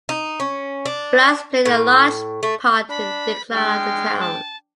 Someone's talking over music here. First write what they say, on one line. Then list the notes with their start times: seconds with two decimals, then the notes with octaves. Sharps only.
Floods played a large part in the decline of the town.
0.09 D#4
0.40 C#4
0.86 D4
1.65 A2
2.43 A3
2.90 D4 B5
3.52 G#3 D4 G5 F6
4.19 A5